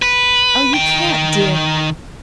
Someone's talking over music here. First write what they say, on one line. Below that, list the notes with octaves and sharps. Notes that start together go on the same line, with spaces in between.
'Oh, you can't, dear!
B4
D#3 G5